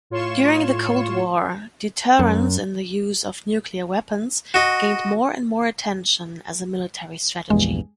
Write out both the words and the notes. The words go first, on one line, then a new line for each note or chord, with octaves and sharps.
During the Cold War, deterrence in the use of nuclear weapons gained more and more attention as a military strategy.
A2 F4 C#5 C6 C#6 E7
F#2
F#4 D#5
A#1 E2 G2 G#3